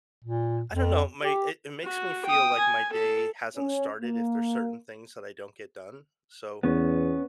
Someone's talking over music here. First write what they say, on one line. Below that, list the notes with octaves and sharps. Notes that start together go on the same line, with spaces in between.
I don't know. My it it makes me feel like my day hasn't started if there's certain things that I don't get done. So,
A#2
F2
G4
F#4
G5 D#6
G#5
A4
C#4
A#3
E2 B3 C#4